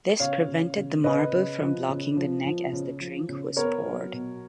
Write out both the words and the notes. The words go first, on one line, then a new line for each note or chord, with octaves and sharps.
This prevented the marble from blocking the neck as the drink was poured.
C#3 C#5 F5
C#3
C#3
C#3 B4 D#5
C#3
F3
C#3
F3
F3
C#3
F3
C#3
B3 A#4 C#5
F#3
B2